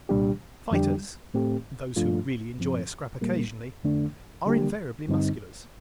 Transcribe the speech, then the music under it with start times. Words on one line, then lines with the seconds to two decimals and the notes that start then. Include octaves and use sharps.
Fighters--those who really enjoy a scrap occasionally--are invariably Musculars.
0.09 C2 A#2 G3 D4 G4
0.71 F2 D3 G3 D4 G4
1.34 A2 A3 C4 G4
1.96 G2 F3 A3 D4 F4
2.58 G2 F3 C4
3.21 A#2 G3 A#3
3.83 F2 D3 A3 D4
4.46 D3 G3 A#3 D4 G4
5.08 G2 D3 G3 C4 D#4